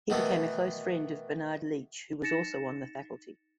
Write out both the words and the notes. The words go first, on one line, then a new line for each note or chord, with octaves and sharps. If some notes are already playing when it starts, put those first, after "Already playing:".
He became a close friend of Bernard Leach, who was also on the faculty.
B2 D#3 E3 A3 B3
D#4 A6 A#6 C#7 E7